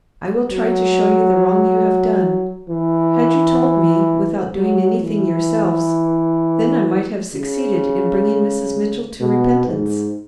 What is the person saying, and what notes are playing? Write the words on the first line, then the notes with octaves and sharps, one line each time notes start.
I will try to show you the wrong you have done.--Had you told me without doing anything yourselves, then I might have succeeded in bringing Mrs. Mitchell to repentance.
F#3
E3
F#3
E3
C#3
B2
G#2